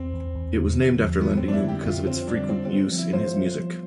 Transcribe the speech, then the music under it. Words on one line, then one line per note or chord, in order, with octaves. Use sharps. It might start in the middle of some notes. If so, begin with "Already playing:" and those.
It was named after Landini because of its frequent use in his music.
Already playing: E2 C4
E2
E2
D3
E2
F3
G3 B3
C4
F2
D4
E4
D3 G4
F2 F4
D3 C4
G3 D4
C4 F4
C4
B3
F3
E4
F4 C5
F4
F3